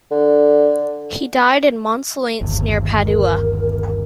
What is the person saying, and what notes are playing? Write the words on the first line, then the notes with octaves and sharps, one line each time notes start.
He died in Monselice near Padua.
D3
G1 D#2
A#4